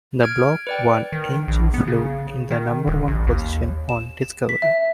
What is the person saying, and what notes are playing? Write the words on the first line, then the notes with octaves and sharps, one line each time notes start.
The Block I engine flew in the number one position on Discovery.
F6 G#6 D7
B4 D5 G5
D#3
A#1
B3
C#3
D#3
D#1
A1
D#2
E7
B6
E5